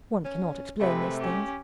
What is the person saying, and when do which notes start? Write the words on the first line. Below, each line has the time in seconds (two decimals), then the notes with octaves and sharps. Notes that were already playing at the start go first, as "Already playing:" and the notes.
One cannot explain these things.
0.25 C#4
0.80 C3 G#3 A3 B4
1.20 C#4 G4